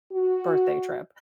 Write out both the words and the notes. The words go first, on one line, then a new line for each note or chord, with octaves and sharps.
birthday trip
F#4